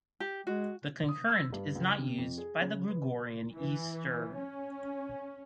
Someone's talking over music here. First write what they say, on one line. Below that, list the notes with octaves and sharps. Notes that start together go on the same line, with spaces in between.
The concurrent is not used by the Gregorian Easter.
G4
G#3 F#4
D#6
E6
G2
C#2
C3
F2
G#4
C#3
B4
E3
C#4